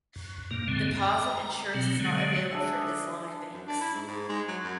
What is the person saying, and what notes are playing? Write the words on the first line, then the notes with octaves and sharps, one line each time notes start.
Deposit insurance is not available for Islamic banks.
F#2
G2 A#2 A#3
F#2 D3 G#3 C4
A#5
B2 F#3 C4
D3 F#3 G#3
D4 G#4 E5
F#2
D4
E4
G#2
G#2
G#3
F#3
F#2